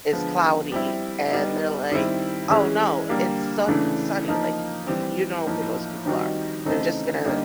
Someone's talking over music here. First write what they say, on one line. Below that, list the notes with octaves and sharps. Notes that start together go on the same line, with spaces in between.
it's cloudy, and they're like, oh no, it's su sunny, like, you you know who those people are, they're just gonna
D3 F3 G#3 B3
G3 C4 E4
G3 B3 D#4
D#3 G3 C4 E4
E3 G#3 C#4 E4
D3 G3 A#3
C#3 E3 A3 D4
F3 A#3 D#4
E3 G3 C4
A2 F3 A#3 D#4
D#3 G3 C4 D#4 F#4
C#3 E3 A3 C4 D#4
D3 G3 A#3 D#4